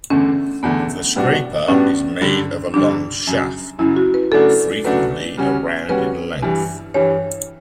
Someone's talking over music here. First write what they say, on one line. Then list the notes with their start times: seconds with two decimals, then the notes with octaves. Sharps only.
The scraper is made of a long shaft, frequently around in length.
0.10 E2 D3 A3 C#4
0.63 E2 D3 A3 B3
1.16 A2 G3 B3 D4 F#4
1.68 A2 G3 B3 C#4 D4 F#4
2.21 G2 D3 G3
2.74 G2 D3 G3 D4
3.27 F#2 C#3 F#3
3.78 F#2 C#3 F#3 E4
3.96 F#4
4.14 B4
4.31 C#3 F#3 A3 D4 F#4 A4
4.84 C#3 F#3 A3 D4 F#4 B4
5.37 C#3 G3 C#4 F#4
5.89 C#3 G3 C#4 F#4 B4
6.42 G2 E3 G3
6.94 G2 E3 G3 C#5